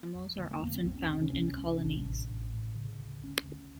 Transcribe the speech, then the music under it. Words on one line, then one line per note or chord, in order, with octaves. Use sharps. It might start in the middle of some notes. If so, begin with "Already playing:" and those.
These animals are often found in colonies.
Already playing: B3
F2
D3 A#3
A#3
F2 B3
C4
C#2 C4
C#4
C3 C#4
C#4
C#2 C#4
C3 C#4
A1 D4
A1
A1
A2
C#3
D2
D2 C#4
D2